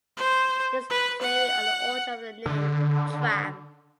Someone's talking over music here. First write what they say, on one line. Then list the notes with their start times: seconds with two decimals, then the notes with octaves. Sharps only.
There is theory on the origin of the name "Trang".
0.17 C5
0.90 B4
1.21 F#5
2.46 D3